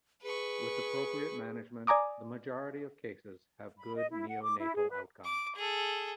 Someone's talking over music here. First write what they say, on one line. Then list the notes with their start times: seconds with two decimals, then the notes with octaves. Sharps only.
With appropriate management, the majority of cases have good neonatal outcomes.
0.23 G#4 B4 C#6
1.87 D5 G#5 A#5 D6 D#6
3.78 B5
3.96 D#5
4.12 E4
4.27 F#5
4.42 D6
4.60 E4
4.75 G#4
4.89 B4
5.24 D6
5.55 G#4 A4